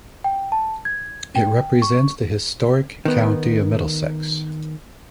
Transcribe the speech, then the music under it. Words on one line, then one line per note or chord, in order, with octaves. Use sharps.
It represents the historic county of Middlesex.
G5
A5
G#6
G5
C#6
D#3 B3